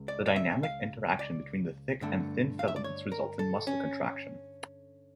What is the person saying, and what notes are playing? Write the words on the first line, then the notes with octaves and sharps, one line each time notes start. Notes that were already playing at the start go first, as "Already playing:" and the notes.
The dynamic interaction between the thick and thin filaments results in muscle contraction.
Already playing: C#2
D5
D5
E5
F5
D5
G2 D3 A3
F5
E5
D5
C#5
A#4
A4
C#4